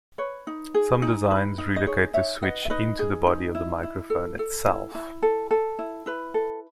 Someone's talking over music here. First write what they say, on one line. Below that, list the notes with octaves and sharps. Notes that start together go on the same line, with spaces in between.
Some designs relocate the switch into the body of the microphone itself.
B4 C#5
D#4
G#4
D#4
B4
D#4
D#5
G#4 C#5
D#4 C#5 E5
B4 D#5 F#5
E5
D#4 B4 D#5
G#4
D#4
E4
E4
A4
A4
E4
E4
A4
A4
E4
E4 B4
A4